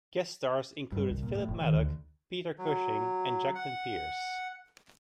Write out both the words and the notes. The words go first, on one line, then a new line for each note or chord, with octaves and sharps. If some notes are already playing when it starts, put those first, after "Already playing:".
Guest stars included Philip Madoc, Peter Cushing and Jacqueline Pearce.
G2
C2
A#2
A2
F1
D#3
D2
F#3
F#5